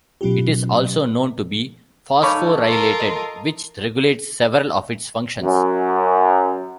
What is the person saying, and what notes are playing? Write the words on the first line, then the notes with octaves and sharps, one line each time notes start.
It is also known to be phosphorylated which regulates several of its functions.
B2 F#3 C#4 F4 G4
G#2 A#3 D#4 A4 C#5 B5 D6
F4 A#4
D#5
F#2